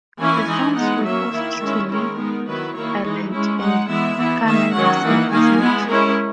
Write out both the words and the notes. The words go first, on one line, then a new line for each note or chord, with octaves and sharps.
The sons were forced to leave Ireland, and Carman was imprisoned.
E3 A#3 C#4 E4 G#5
E3 G#3 D#4
G#3 B3 D#4 F#5
F#3 A#3 C#4 E5
D#3 A#3 E4
D#3 G#3 C#4 E4
D#3 G#3 C#4 E4 A#4
G#3 B3 D#4
D#3 F#3 B3 E4 B4
D#3 A#3 E4 C#5
E3 G#3 D#4
G#3 C#4 E4
G#3 D#4 F#5
E3 G#3 B3 E4 E5
E3 B3 E4
D#3 A#3 D#4 E5
D#3 F#3 C#4 F#5
E3 A#3 D#4
D#3 A#3 D#4 G#5
G#3 B3 E4
G#3 C#4 E4 A#4